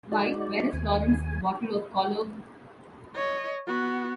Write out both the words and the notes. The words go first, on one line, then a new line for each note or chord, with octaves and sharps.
Why, where is Florence's bottle of cologne?
G#3 D#4 F#4 D5
D#2 G#5
C#5 D#5
B3 F#4